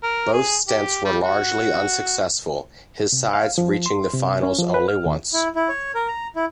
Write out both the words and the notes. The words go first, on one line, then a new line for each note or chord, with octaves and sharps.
Both stints were largely unsuccessful, his sides reaching the finals only once.
A#4
G#4
G4
G3
F#4
C3
F5
F3
C6
C3
C#4
F3
B4
F6
D#2
E4
E4
C#5
A#4
A#5
E4